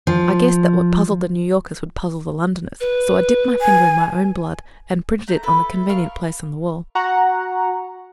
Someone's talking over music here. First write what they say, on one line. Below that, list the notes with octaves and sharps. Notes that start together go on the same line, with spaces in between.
I guessed that what puzzled the New Yorkers would puzzle the Londoners, so I dipped my finger in my own blood and printed it on a convenient place on the wall.
F3
B4
G#5
A3 A#5 G6
E4 A4 B4
A4 A#4 F5 C#6
F#4 F#5 A#5